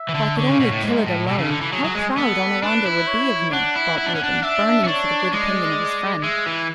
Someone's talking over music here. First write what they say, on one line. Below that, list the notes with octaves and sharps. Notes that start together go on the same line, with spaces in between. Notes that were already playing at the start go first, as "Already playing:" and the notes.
"If I could only kill it alone, how proud Onawandah would be of me," thought Reuben, burning for the good opinion of his friend.
Already playing: E5
E3
D3
D3 C#5
C#3
B2
A2
G#2
A2
B2 A4
C#3
D3
E3
F#3 G#4
F#3
G#3
B3 A4
D4 B4
E4
C#5
D4 F#5
E4
E4
D4
C#4
D4
D4 E5
C#4
D4 C#5
G#3 D5
G#3 E5
E3